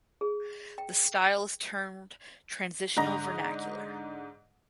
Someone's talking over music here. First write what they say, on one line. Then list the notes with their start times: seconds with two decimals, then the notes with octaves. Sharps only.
The style is termed "transitional vernacular".
0.21 G#4
0.78 G5
2.97 G#2 D3 D#5 A#5 A#6